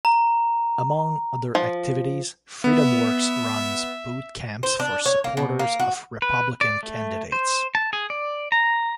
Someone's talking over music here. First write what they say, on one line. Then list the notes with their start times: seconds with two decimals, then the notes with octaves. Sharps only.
Among other activities, FreedomWorks runs boot camps for supporters of Republican candidates.
0.05 A#5
1.55 F3
2.64 B3 E5
4.63 C5
4.80 D4
5.06 C#5
5.24 A#3
5.37 B2
5.59 A#3
5.80 F#4
6.22 B4
6.61 D5
6.83 A3
7.32 C5
7.75 A5
7.93 G#4
8.10 D5
8.52 A#5